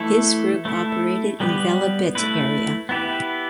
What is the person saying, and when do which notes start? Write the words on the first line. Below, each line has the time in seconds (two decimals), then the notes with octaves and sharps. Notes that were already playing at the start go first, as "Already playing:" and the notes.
His group operated in Velebit area.
Already playing: E3 A3 E4 A4
0.65 A3 E4 A4
1.40 G3 B3 G4 B4
2.15 A3 E4 B4
2.89 B3 E4 G4 B4